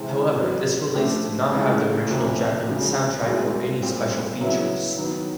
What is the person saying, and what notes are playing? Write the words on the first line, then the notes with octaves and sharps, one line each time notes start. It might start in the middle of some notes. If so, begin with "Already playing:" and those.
However, this release did not have the original Japanese soundtrack or any special features.
Already playing: C3 E3 G#3 C4
B2 F#3 B3
F3 A3 D4 G4 B4
C#2 C#3 E3 A3
D2 C3 F3 A#3 C#4
D2 C#3 F3 G#3
C2 B2 G#3 C#4 E4
A#2 G3 C4
C#3 F#3 B3 E4
D#3 F#3 B3 D#4